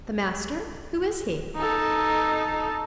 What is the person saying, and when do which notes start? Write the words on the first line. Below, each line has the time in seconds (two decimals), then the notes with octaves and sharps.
"The master?--who is he?"
1.56 D#4 A4